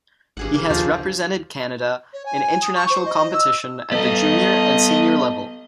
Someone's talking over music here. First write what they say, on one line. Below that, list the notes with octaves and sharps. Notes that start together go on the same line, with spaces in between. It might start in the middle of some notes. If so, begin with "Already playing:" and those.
He has represented Canada in international competition at the junior and senior level.
G#1 G2 G#4 F#5
C#3 A#3
D#2 F3 D#4 G#4 A4
C#5
G#5
D#6
C#6
C5
D#5
E6
B3 A4 D#5